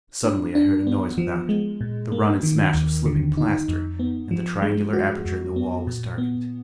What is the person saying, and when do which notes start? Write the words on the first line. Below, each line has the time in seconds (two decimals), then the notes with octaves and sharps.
Suddenly I heard a noise without, the run and smash of slipping plaster, and the triangular aperture in the wall was darkened.
0.24 D4
0.55 D4
0.87 B3
1.18 F3
1.49 G#3
1.81 A#2
2.12 A#3
2.43 D#3
2.74 D#2
3.06 D3
3.37 D#4
3.68 F2
3.99 B3
4.31 F3
4.62 G#3
4.93 F#4
5.25 F2
5.56 B3
5.87 A#2
6.18 B3